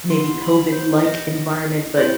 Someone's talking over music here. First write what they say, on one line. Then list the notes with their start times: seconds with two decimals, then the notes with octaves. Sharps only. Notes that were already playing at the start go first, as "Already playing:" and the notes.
maybe COVID-like environment but
0.10 B3 E4 G4 C6
0.42 B5
0.73 C5
1.04 D#5
1.97 C4 E4 G4 C5